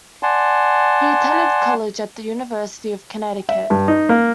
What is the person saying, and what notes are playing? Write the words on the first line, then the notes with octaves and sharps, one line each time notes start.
He attended college at the University of Connecticut.
D5 F#5 G#5 A5 C6
E5
G2
D#4
A#3